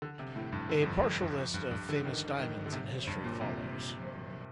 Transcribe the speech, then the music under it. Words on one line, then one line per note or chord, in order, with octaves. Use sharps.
A partial list of famous diamonds in history follows.
D3
C3
A2
G2
D3
F2
G2
F2
G2
F2
G2
G2
D3
D#3
D#3
D3
C3
G2
A#2
C3